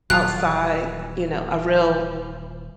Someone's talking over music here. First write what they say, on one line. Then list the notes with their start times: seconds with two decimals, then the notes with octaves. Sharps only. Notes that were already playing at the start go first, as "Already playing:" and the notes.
outside, you know, a real
0.10 D#1 F#3 F4 G4 F5 F#6